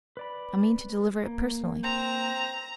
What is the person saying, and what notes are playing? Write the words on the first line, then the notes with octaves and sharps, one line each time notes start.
I mean to deliver it personally.
B4 D5 B5
A#3
C4 A#5